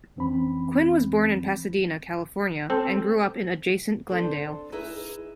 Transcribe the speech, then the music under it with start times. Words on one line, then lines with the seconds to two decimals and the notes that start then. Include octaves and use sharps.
Quinn was born in Pasadena, California, and grew up in adjacent Glendale.
0.16 F2 E3 C4 C#4 B5
2.70 C4 A4
4.08 C4 D4 A4 C5
4.72 D#4 E4 G#4 B4 E5